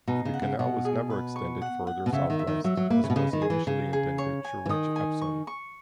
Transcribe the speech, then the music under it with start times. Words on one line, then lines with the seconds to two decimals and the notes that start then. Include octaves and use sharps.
The canal was never extended further south-west, as was initially intended, to reach Epsom.
0.08 B2 D#4
0.25 C#3
0.34 F#5
0.42 C#3
0.59 B2 F#5
0.85 G#4
1.10 B4
1.36 C#6
1.62 F#5
1.87 F#5
2.06 B2
2.13 C#3 E5
2.30 D#3
2.39 E5
2.47 D#3
2.64 F#3 E5
2.77 F#3
2.90 A#3 B4
3.04 C#3
3.10 B2
3.16 C#3 D#5
3.33 D#3
3.42 G#4
3.50 E3
3.67 C#3 G#4
3.93 G#4
4.18 C#5
4.45 G#5
4.66 E3
4.69 D#3 D#6
4.96 G#5
5.21 C#6
5.47 C#6